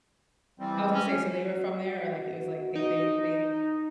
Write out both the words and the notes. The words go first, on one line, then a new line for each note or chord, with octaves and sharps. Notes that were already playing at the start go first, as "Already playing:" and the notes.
I was gonna say, so they were from there or like, it was like they they they
E3 G3 C4
C#4
F#4
D#4